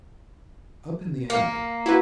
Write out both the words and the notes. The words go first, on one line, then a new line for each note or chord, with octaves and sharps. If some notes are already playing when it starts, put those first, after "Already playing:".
Up in the attic.
A#3 F5 C#7
E4 F#4 B4